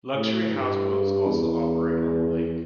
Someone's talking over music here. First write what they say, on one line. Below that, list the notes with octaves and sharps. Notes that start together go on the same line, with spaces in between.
Luxury houseboats also operate on the lake.
A2
G2
E2